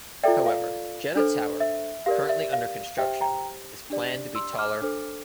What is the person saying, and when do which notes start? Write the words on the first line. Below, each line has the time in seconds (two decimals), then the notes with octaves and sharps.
However, Jeddah Tower, currently under construction, is planned to be taller.
0.24 F4 A4 D5 E5 G5
0.46 F5
1.15 D4 A4 C5
1.60 E5
2.06 G4 A#4 D5 F5
2.29 E5
2.53 F5
2.98 G4 C5 E5 G5
3.21 G5 A#5
3.90 D4 G4 D5
4.35 C6 E6
4.59 D6 F6
4.82 D4 A4 C5